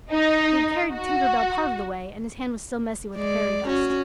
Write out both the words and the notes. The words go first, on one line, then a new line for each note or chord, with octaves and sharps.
He had carried Tinker Bell part of the way, and his hand was still messy with the fairy dust.
D#4
F#4
G#3 D5
C#4 F#4